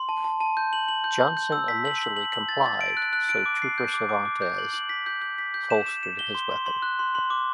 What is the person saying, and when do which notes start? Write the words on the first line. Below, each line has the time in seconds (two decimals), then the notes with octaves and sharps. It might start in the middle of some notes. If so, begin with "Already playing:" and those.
Johnson initially complied so Trooper Cervantes holstered his weapon.
Already playing: C6
0.09 A5
0.24 A5
0.40 A5
0.57 G6
0.73 F#7
0.88 F#7
1.04 G6
1.21 G6
1.37 G6
1.52 E6
1.68 B6
1.85 F#7
2.02 F#7
2.16 F#7
2.33 F#7
2.49 A6
2.66 A6
2.81 D7
2.97 F#6
3.13 F#6
3.29 D7
3.46 D6
3.62 C7
3.78 G6
3.94 D6
4.09 D6
4.25 D6
4.42 G6
4.58 F#7
4.74 F#7
4.89 B6
5.06 G6
5.22 G6
5.38 B6
5.54 G6
5.70 E7
5.86 E7
6.03 E7
6.19 G7
6.35 C6
6.51 C6
6.66 C6
6.82 F#6
6.99 C6
7.15 C6
7.30 D6